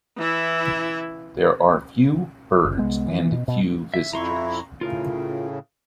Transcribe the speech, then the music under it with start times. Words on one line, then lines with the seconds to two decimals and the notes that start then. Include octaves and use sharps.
There are few birds, and few visitors.
0.17 E3 E4
2.64 F#1
2.78 C2 G#3 B3
3.07 E3
3.32 B2
3.48 B2
3.94 E5
4.13 F2 E4 A#5 C6 C#6
4.81 A2 C#3 F4 A#4